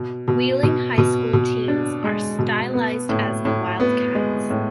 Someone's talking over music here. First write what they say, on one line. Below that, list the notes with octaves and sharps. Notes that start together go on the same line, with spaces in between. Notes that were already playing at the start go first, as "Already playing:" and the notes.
Wheeling High School teams are stylized as the Wildcats.
Already playing: B2
B2
B2
B2
B2
D4
G#3
B2
B3
A2
A2
B3
G#3
A2